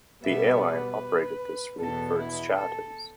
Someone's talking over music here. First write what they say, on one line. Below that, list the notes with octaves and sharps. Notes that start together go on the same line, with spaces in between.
The airline operated this fleet for its charters.
B2 G3 B3 E5
B4
E2 B2 B3 A4
E4
A4